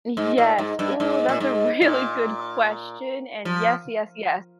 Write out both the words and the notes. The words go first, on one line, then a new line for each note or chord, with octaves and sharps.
Yes, ooh, that's a really good question, and yes yes yes.
G#2
A#2
G#2
G2
G#2
A#2
G#2
A#2
F3